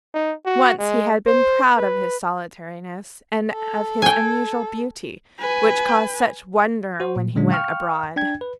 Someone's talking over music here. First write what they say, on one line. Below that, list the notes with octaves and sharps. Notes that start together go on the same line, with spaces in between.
Once he had been proud of his solitariness and of his unusual beauty, which caused such wonder when he went abroad.
D#4
F#4
G#3
C5
B4
A4
G5 G#5
B4 G#5
F#4 C5
A#2
A#2 D3 F#3 G#3 C#4 D4
F5 G5 C#6 F6
D4 G5 G#6
B4